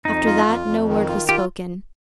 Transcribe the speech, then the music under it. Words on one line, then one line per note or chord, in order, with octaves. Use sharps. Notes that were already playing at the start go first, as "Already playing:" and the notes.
After that no word was spoken.
F2 D#4
F4
F2
F2
D#3
F4
F4 G4